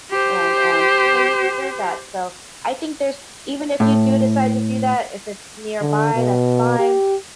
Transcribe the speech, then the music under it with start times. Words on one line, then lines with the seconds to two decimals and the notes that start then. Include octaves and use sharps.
and, um, you know, you deserve that. So, I think there's even if you do decide to do that, if it's nearby, that's fine.
0.11 G4 C5
3.80 A2
5.81 D3
6.14 B2
6.79 G4